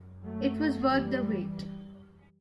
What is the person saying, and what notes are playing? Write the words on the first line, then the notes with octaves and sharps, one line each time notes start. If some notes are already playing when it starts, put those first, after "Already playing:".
It was worth the wait.
Already playing: F#2
F#3 A3
E3 G3